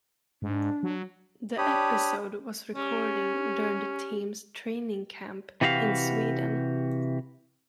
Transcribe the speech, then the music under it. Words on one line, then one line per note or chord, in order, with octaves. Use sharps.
The episode was recording during the team's training camp in Sweden.
G#2 D4
F#3
D4 G4 C#5 B5 D#6
G3 C#4
C3 E3 F#4 G4 D5 F5